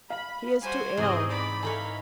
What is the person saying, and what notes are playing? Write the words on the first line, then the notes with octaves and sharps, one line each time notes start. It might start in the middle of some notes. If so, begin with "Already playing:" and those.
"He is too ill."
F5 B5
G3 F#4 C5 G#5
E2 G#2 C3 C4 G#4 D#5
D5 B5
E3 D#4 A4 C#5 F5 G#5